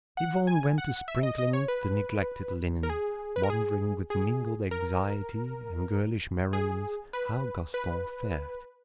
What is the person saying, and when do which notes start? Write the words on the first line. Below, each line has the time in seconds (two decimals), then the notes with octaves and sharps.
Yvonne went to sprinkling the neglected linen, wondering with mingled anxiety and girlish merriment how Gaston fared.
0.17 F#5
0.47 G#5
0.78 F#5
1.08 E5
1.23 D#5
1.38 D#5
1.53 C#5
1.68 B4
2.83 A#4
2.90 G#4
3.36 B4
3.43 A#4
3.50 G#4
4.10 G#4
4.71 A#4
6.53 G#4
7.13 B4
7.74 B4